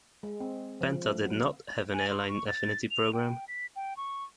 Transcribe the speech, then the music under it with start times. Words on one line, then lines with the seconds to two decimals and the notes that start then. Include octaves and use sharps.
Penta did not have an airline affinity program.
0.23 G#3
0.40 C4
0.81 F3
1.05 A3
1.23 F#3
1.93 G#5
2.10 C6
2.28 C#6
2.48 A6
2.91 F7
3.13 G5
3.48 B6
3.76 G5
3.97 C#6